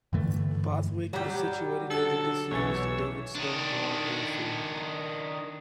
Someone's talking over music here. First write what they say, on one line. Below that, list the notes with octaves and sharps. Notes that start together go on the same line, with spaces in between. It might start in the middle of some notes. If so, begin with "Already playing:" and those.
Bowithick is situated near the disused Davidstow Moor airfield.
G2 D3 E3 A3
F#3 G3 G4
D3 A4 E6
B1 E3 C#5 A6
D#3 D4